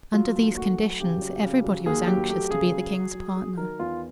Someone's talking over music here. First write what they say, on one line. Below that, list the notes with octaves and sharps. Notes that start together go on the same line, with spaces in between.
Under these conditions everybody was anxious to be the king's partner.
F#3 F4
D#2
A3 F#4
F#3
C#3 G4
F#3
C#3
F#3
D#2 G#4
F#3 G4
A3 G4
C#3 G#4
F#3
F#3
F#3
F#3
D#3 A#4
E2 F4